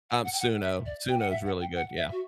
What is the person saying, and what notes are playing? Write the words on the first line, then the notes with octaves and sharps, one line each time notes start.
Um, Suno. Suno's really good, yeah.
F#5
F#5
G5
F#5
E5
D5
G5
F#5
E5
F#5
G5
F#5
E5
F#4